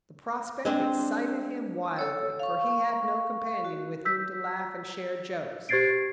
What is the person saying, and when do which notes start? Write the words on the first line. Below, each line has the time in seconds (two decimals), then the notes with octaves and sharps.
The prospect excited him wildly, for he had no companion with whom to laugh and share jokes.
0.65 G#3 C4 D4
1.96 A4 C#5 E6
2.39 F5 C#6
3.65 F#4
4.05 E6 G6 B6
5.69 G4 C5 G#6 A6 C7 D7